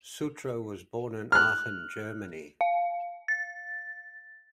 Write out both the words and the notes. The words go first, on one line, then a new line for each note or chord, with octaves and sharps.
Sutro was born in Aachen, Germany.
F6 F#6
F5
A6